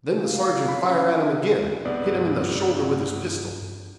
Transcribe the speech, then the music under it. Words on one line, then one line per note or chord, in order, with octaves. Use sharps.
Then the sergeant fire at him again; hit him in the shoulder with his pistol.
F5
B5
C#4
C2 G2 B3 D5